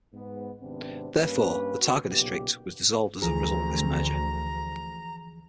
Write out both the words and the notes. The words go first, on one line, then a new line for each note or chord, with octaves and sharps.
Therefore, the Taga District was dissolved as a result of this merger.
G#2 B3
G#1 C3 B3 C4 D4
G2 A#3 C#4 B4
F#4
B1 A#2 C#3 B3 G4
D2 E3 F3 G#4 A#5